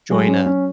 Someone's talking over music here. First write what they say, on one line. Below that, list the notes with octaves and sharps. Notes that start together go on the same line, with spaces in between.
join a
F#3 G#3
C#4
C#4